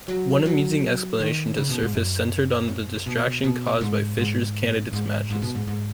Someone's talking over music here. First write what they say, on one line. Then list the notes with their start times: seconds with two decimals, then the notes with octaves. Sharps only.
One amusing explanation to surface centred on the distraction caused by Fischer's Candidates matches.
0.08 F#3
0.46 F#3
1.20 D#3
1.57 C#3
1.69 B2
1.83 G#2
1.94 F#2
3.06 B2
3.44 B2
3.81 G#2
4.18 G#2
4.93 G#2
5.30 G#2
5.42 B2
5.55 G#2
5.67 G#2